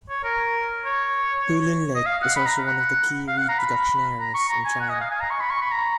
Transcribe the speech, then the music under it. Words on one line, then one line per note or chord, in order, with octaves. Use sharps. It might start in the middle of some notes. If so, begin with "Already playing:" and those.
Hulun Lake is also one of the key reed production areas in China.
C#5
A#4
C#5
D#5
F5
F#5
B5
A#5
F#5
F5
F#5
A#5
B5
A#5
C#6
A#5
G#5
F#5
D#5
F5
G#5
A#5
C#6
B5
C#6
B5
A#5